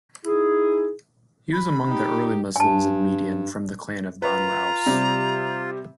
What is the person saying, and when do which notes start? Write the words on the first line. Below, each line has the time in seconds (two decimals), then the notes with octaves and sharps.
He was among the early Muslims of Median from the clan of Banu Aws.
0.25 D#4 E4 G#4
1.53 B5
1.88 D#4 G4
2.56 G2 G#5 A5
4.22 F4 B4 A#5
4.86 C3 G3 C4